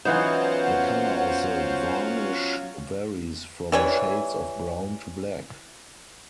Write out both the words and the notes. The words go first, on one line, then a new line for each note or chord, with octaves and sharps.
The color of the varnish varies from shades of brown to black.
E3 F#3 B3 C#4 D#4 F4 C5 F#5
E3 G3 C#5